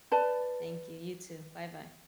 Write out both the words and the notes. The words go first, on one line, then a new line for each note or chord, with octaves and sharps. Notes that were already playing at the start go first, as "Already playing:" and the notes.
Thank you, you too. Bye-bye.
B4 D5 A5